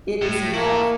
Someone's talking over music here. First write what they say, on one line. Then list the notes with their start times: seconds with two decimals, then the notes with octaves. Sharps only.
It is enough!
0.21 A2
0.54 A#3 E4 A4